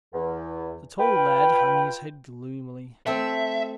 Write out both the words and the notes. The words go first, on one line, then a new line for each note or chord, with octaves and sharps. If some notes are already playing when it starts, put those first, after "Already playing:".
The tall lad hung his head gloomily.
E2
F4 B4 G5
A3 C4 E5